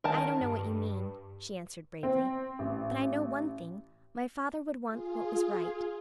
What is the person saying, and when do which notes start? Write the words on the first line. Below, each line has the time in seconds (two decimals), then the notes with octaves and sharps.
"I don't know what you mean," she answered bravely, "but I know one thing: my father would want what was right."
0.04 D#3 A#4 A5
0.41 G2
2.03 C4
2.59 A1
4.87 F4 G#4